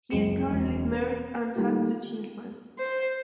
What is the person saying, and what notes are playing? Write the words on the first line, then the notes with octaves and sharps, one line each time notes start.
He is currently married and has two children.
F#1 C#2 G#4 C#7
E1
A#4 B4
D#3 G3 A3 A#3 F4
C5